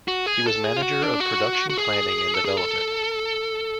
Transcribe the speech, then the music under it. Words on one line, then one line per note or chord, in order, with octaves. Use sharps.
He was manager of production planning and development.
F#4
G#4
A4
G#4
F4
F#4
D4
F#4
F#4
G#4
A4
G#4
A4